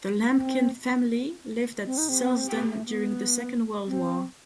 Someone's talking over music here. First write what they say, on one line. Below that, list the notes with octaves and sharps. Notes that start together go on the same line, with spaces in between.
The Lampkin family lived at Silsden during the Second World War.
C4
C4
D#4
C4
B3
C4
B3
A3
B3
C4